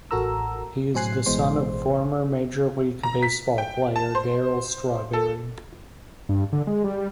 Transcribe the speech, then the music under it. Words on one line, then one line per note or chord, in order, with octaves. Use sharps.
He is the son of former Major League Baseball player Darryl Strawberry.
A1 F#4 A4 A#4 A#5 E6
A2 F#3 C5 G#5 F#6 C7
A1 B2 E3 G#3 C5 C6
A#5
B6
G5
A5
C5
A4
G2
D3
G#3
G3